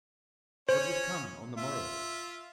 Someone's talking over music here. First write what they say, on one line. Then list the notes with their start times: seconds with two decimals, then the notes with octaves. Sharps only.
What would come on the morrow?
0.69 C#4 C5 C#5
1.57 F4 E5